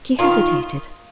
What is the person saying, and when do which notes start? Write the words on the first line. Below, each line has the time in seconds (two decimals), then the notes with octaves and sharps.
She hesitated.
0.19 D#3 F4